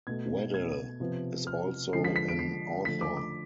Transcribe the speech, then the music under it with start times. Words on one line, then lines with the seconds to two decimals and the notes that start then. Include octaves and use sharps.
Waddell is also an author.
0.07 B2 A3 G#6
0.54 G#6
1.00 C3 F3 B3
1.47 F6
1.93 D3 F3 G#3 C7
2.04 B6
2.16 B6
2.28 D7
2.39 C7
2.85 D3 F3 A3 B6
3.01 D6
3.17 D6